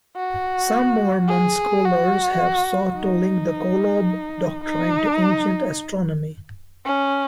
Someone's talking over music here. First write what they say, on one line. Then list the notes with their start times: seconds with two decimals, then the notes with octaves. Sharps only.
Some Mormon scholars have sought to link the Kolob doctrine to ancient astronomy.
0.16 F#4
1.28 G#4
1.84 F#4
2.95 D#4
4.64 D#4
6.86 C#4